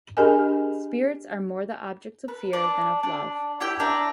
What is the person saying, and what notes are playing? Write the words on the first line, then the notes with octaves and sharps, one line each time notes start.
Spirits are more the objects of fear than of love.
D4 G4 G#4 A#4 D#5 G#5
B4
D4
D4
E4 G4 G5
D4 E5 A#5